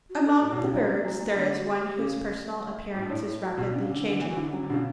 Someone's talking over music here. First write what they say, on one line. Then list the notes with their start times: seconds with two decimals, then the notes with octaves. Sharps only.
Among the birds there is one whose personal appearance is rapidly changing.
0.10 F#4
0.25 A4
0.41 A2 F#4
0.52 B2
0.57 E4
0.63 C#3
0.73 F#3 D4
0.84 C#4
0.94 B3
1.05 F#3 B3
1.20 F#3 A3
1.36 D3 B3
1.47 D4
1.57 F#4
1.68 G4
1.99 C#3
2.95 A2 F#4
3.02 G2
3.10 A2 E4
3.26 E4
3.42 F#4
3.58 B2 F#4
3.68 D4
3.73 C#3
3.79 D4
3.89 D3 C#4
4.00 D3 A3
4.10 D3 B3
4.21 E3
4.28 F#4
4.37 D3 E4
4.45 D4
4.53 F#3 C#4
4.63 D3
4.69 B2 D4
4.74 C#3